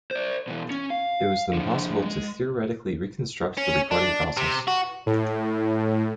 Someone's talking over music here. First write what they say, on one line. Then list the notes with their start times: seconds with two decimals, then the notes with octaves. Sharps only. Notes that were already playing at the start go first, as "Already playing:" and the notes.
It was then possible to theoretically reconstruct the recording process.
0.11 C5 D5
0.48 B2 E3
0.70 C#4
0.90 F5
1.53 D3 F3
2.05 G#3
3.57 C#4
3.91 D4
4.37 C3
4.68 F#4
5.06 A2